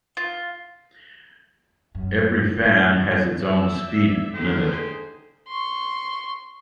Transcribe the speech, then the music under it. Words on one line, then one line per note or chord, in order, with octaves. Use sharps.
Every fan has its own speed limit.
F4
F#2
G2
D5 E5 E6
D3 D#4 G4 G#4 C5
C6 C#6